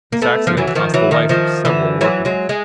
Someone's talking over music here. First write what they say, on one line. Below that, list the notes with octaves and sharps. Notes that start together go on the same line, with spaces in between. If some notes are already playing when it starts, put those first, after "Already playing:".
This accident cost the life of several workmen.
A#3
A3 B3
F3
E3 F#3
E3
D#3 F3
E3 F#3
D#3 F3
D#3 F3
D3 E3
E3 F#3
F#3 G#3
G#3